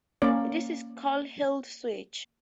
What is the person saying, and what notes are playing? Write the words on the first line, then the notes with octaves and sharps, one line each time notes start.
This is called a heeled switch.
A#3 C#4 D5